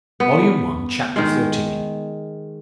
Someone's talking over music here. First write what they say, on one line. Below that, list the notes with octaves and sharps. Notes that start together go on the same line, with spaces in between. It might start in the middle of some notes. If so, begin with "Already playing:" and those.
Volume One, Chapter XIII.
B3
D#3 G#3